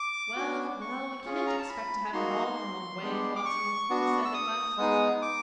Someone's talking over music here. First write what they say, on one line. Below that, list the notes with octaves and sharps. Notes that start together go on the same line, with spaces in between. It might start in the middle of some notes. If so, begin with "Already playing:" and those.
"Well, well, we can't expect to have it all our own way, Watson," he said, at last.
Already playing: D6
B3 D4 F#4
C#6
C#4 F4 G#4
C#6
A#5
A5
B5
A#3 D#4 F#4 C6
G#3 B3 D4 G4
D6
C#6
B3 D4 F#4
E6
D#6
G#3 B3 D#4 G#4
D6